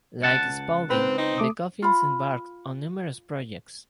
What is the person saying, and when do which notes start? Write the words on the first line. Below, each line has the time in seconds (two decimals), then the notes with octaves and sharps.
Like Spalding, the Coffins embarked on numerous projects.
0.22 C#2 F#5 A5
0.90 G#2 C4 B4
1.18 C4 D#4
1.38 A3 D6 D#6
1.82 F4 B5